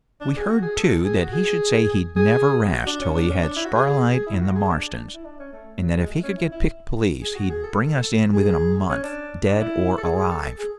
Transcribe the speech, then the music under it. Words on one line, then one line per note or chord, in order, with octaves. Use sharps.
We heard, too, that he should say he'd never rest till he had Starlight and the Marstons, and that if he could get picked police he'd bring us in within a month, dead or alive.
D4
G#4
F#4
G#4
A4
G#4
F#4
G#4
G#4
F#4
D4
C#4
D4
C#4
D4
E4
F#4
G#4
G#4
E4
F#4
G#4
D4
E4
D4
C#4
A3
F#3
G#3
A3
C#4
E4
E4
G#4
F#4
G#4
A4
G#4
C#4
D4
D4
E4
A4
G#4
G#4
A4
G#4